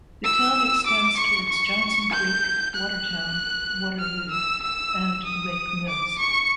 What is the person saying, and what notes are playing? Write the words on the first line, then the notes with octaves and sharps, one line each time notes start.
The town extends towards Johnson Creek, Watertown, Waterloo, and Lake Mills.
E6
D6
C#6
C#6
G6
F#6
F6
E6
E6
D#6
D6
C#6